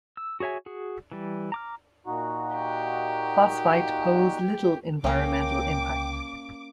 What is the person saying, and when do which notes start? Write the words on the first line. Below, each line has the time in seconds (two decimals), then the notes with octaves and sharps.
Phosphite pose little environmental impact.
0.17 E6
0.40 F#4 G#4 C#5 E5 G#5
0.66 F#4 G#4
1.12 E3 G3
1.52 A#5 D6 F6
2.07 A#2 D#4 F#4
2.56 G4
5.04 C#2 D3 A#3 C#4 G5 D6